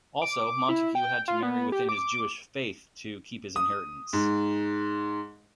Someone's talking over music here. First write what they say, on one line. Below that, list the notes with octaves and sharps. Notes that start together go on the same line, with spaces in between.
Also, Montagu had to marry within his Jewish faith to keep his inheritance.
D6
E4
G5
F4
B3
G4
D6
D#6
G#2